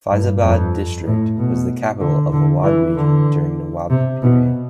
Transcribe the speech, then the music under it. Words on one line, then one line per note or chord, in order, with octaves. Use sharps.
Faizabad District was the capital of Awadh region during Nawab Period.
G2
F2
A2
B2
D3
D3
E3
D3
C3
B2